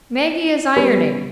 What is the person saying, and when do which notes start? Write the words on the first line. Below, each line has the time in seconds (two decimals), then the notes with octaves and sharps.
"Maggie is ironing."
0.76 G3 B3